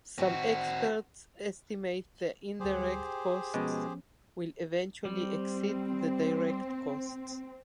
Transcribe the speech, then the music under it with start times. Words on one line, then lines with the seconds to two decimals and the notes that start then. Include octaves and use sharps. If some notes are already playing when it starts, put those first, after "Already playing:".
Some experts estimate the indirect costs will eventually exceed the direct costs.
0.19 C4 F#4
2.60 D2 G3 G4 G#4 C5
3.05 G5
3.54 B2 F3 G#3 B3 C#4
5.05 G3 C4